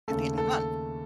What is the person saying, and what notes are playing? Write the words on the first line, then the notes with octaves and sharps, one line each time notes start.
at the end of the month,
D#2 C#3 A3 A4
A4